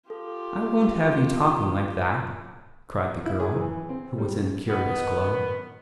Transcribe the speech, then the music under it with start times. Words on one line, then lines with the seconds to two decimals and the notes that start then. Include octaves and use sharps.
"I won't have you talking like that," cried the girl, who was in a curious glow.
0.10 F4 G4 A4
3.26 E4
3.40 G#4
3.55 E3
3.89 C4
4.18 G3
4.68 D#3 B3